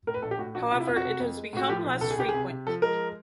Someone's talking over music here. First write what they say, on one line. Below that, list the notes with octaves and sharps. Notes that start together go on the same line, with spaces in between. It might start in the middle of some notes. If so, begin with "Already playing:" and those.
However it has become less frequent.
A2 A#4
B4
A#1 A4
G4
A2 F#4
A#1 F#4
C3 F4
E4
F2 F4
F#4
C3
F2
G#3
A2 F#4
F3 G4
B1
C#2 A4
G#4
C#2 G4
G#4
C3
C3
F3 A4
G#3 A#4